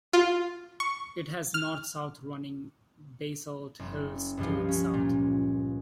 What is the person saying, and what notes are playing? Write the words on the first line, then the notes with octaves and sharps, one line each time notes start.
It has north-south running basalt hills to its south.
F4
C#6
F6
F#1
C#2 G2 F3 F4
C#4
A#2